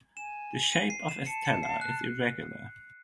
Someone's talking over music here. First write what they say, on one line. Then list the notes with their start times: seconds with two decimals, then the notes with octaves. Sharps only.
The shape of Estella is irregular.
0.17 G#5 E7
0.72 D#7
0.90 C7
1.09 E7
1.27 A5 C#7
1.45 C#7
1.63 C7
1.81 F#6